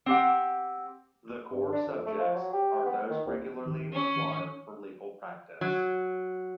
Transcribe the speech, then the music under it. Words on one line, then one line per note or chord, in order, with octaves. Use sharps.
The core subjects are those regularly required for legal practice.
C4 G4 F#5
G2
D4
F2
A3
F3
F#3
G4
B3
D#3
C2
C#4
F#3